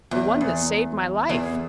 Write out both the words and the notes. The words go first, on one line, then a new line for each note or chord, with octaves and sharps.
"The one that saved my life."
E2
E2
E2